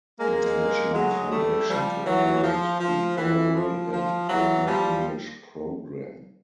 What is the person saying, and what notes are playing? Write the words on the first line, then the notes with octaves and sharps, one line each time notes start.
International Foundation to operate the Oral and Written English Programme.
G#3 A#3
F#3 G#3
G3 A3
F3 G3
E3 F#3
F3
F3
E3
F3
F3
E3 F#3
F3 G3